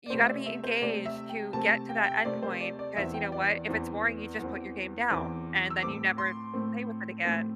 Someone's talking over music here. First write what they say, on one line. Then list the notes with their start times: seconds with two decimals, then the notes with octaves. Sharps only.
you gotta be engaged to get to that end point, because you know what? If it's boring, you just put your game down, and then you never play with it again.
0.06 D5
0.10 C3 A3 C4 C5
0.22 E5
0.28 D5
0.46 E5
0.64 C5
0.82 C3 A3 C4 D5
1.06 E5
1.29 G5
1.53 C3 A3 C4 A5
1.89 G5
1.97 E5
2.04 G5
2.25 C3 A3 C4 D5
2.43 C5
2.61 D5
2.79 D5
2.96 E2 E3 C4 E5
3.14 G5
3.32 D5
3.50 D5
3.68 E2 E3 C4
4.39 E2 E3 C4
5.11 E2 E3 C4 D6
5.70 E6
5.82 A2 A3 C4 D6
6.18 C6
6.54 A2 A3 C4
7.25 A2 A3 C4